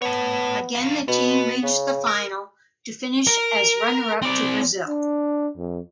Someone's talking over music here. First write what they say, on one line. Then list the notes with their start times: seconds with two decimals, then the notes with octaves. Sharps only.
Again the team reached the final, to finish as runner-up to Brazil.
0.02 A3 B3 C#5
0.75 E2 F5
1.08 B2 B3
1.63 C#3
2.07 A#4
3.27 A#4
4.22 C4 D5
4.88 D4
5.57 F2